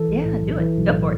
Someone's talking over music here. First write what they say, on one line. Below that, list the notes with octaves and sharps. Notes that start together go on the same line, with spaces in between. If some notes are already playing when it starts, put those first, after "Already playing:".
Yeah, do it. Go for it.
Already playing: E3 A4
B1
A2
B1
E3
B1
A2